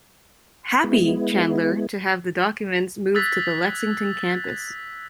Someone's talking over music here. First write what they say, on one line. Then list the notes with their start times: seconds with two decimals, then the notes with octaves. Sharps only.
"Happy" Chandler to have the documents moved to the Lexington campus.
0.84 G#3 B3 E4
3.15 D#6 E6 F#6 G#6 A6 B6